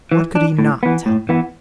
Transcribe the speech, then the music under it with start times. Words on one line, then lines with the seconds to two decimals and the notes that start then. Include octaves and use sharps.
What could he not tell them?
0.12 E3
0.35 D4
0.59 A2
0.83 E3 B3
1.06 A2
1.29 E3 B3